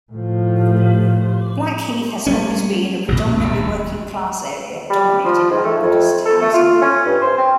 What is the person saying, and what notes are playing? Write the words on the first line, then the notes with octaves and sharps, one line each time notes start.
Blackheath has always been a predominantly working class area dominated by modest housing.
A2 F3
G3 G#3 C#4
A1 A#2
D#1 D2
G3
F3
G#2
A3
F2
A4
A3
F4
C#4
G2
C5
C4